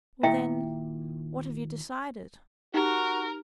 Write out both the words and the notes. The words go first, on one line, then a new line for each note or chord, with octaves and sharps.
"Well, then, what have you decided?"
D#2 A#2 E4 E5 G5
D#4 F#4 G4 A#4